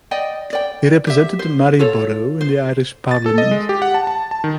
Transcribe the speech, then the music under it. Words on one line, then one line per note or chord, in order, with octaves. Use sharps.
He represented Maryborough in the Irish Parliament.
D5 D#5 G5
D5 G5
G4 E5
C5
F4 A4 C#5
C5
A6
A4
D#5
G#3
G4
F#5
A5
A5
A5
D#3